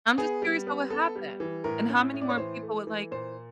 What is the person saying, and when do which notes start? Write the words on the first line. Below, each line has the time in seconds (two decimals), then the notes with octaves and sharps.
I'm just curious what would happen, and how many more people would, like,
0.18 B3 G#4
0.42 G3
0.67 B3
0.90 B3 A4
1.16 G3
1.40 E3
1.64 A2 A#4
1.90 C#4
2.13 A2
2.21 D5
2.29 C#5
2.37 E3 C5
2.62 A3
2.87 E3
3.11 A#2 C5